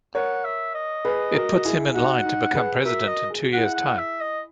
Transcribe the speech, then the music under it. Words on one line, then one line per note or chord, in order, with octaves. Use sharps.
It puts him in line to become president in two years' time.
A#4 C#5 F#5
E5
D#5
G#4 B4
F#4 A#4
F#4
E4 G#4
D#4 F#4 F#5
D#4
G#4 B4
F#4 A#4 E5
D#5
G#4
F#4
E4 G#4 F#5
F#5
E5
D#5